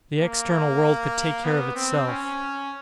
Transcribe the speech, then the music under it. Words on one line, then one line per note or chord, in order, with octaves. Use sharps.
The external world could take care of itself.
A#3
B3
C4
C#4